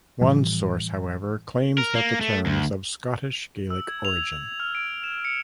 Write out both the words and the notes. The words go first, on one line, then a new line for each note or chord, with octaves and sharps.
One source, however, claims that the term is of Scottish Gaelic origin.
A2 E3 F3 G3
A#4
A#3
A3
D2
E6
G#6
F7
F7
F7
F6
D7
E7
C#7